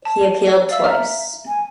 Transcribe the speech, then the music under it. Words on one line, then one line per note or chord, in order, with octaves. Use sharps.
He appealed twice.
A5
D5 E5 F5 E6
A#5 F6
G#5